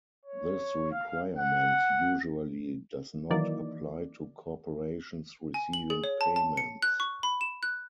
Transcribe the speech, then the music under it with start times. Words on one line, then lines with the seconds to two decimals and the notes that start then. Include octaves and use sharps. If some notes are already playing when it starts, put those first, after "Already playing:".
This requirement usually does not apply to corporations receiving payments.
0.25 C#5
0.91 F5
1.38 F#5
3.30 D#3 E3 F#3 A#3 D#4 D5
5.54 G#5
5.73 F#7
5.90 G#4
6.04 C#5
6.21 A5
6.36 A5
6.57 C#7
6.82 F#6
7.00 C#6
7.23 B5
7.41 E7
7.63 F#6